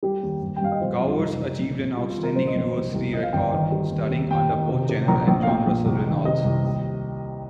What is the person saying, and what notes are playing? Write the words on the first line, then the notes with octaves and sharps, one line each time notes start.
Gowers achieved an outstanding university record, studying under both Jenner and John Russell Reynolds.
G3 G4
D#2
G2
G5
G2 F5
D#5
F3 C5
F2
F4
C2 D#4
C2
A#1
A#2
G3 F4
F4
D#3
A#4
A#1 C5
D#5
A#1 C5
C2
C2
F3 D#5
F5
G1 G5
G5
D#3
G3
D#2
D#2
D#2 G5
D#3
C3
C3
A#1 A#5
A#1
F5
A#2 G5
A#1
C2
D#3
C3 D#5
C2
D#2